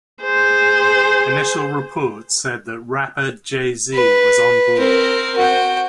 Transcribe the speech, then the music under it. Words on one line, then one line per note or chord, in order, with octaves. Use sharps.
Initial reports said that rapper Jay-Z was on board.
G#4 C5
B4
C4 A#4
F#4 G5